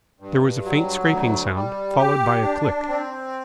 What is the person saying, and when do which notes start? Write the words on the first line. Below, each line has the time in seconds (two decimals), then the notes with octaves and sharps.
There was a faint scraping sound, followed by a click.
0.20 G2
0.65 F#3
1.09 D2
1.54 G3
1.98 G4
2.43 D4
2.88 C4